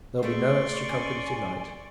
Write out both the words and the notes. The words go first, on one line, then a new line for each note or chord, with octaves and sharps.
There'll be no extra company to-night.
D3 A3 G#4 D5 C6 C#6
C#4 G#5